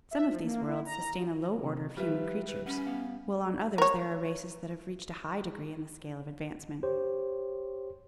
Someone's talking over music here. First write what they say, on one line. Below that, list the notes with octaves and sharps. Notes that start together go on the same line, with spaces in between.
Some of these worlds sustain a low order of human creatures, while on others there are races that have reached a high degree in the scale of advancement.
E5
F3
A#3
E4
A#5
F#3
C3
F3 G3 F4 B4 E5
B4
C#4 F#5 B5
B3 F5 F#5
A#4 C#5
G4 C5 C#5